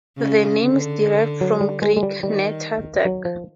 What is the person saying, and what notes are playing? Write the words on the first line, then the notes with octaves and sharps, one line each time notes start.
The name is derived from Greek "Netta" "duck".
C#3
D3
F#3
G3
G#3
G#3
G3
D#3 G3
F#3
F3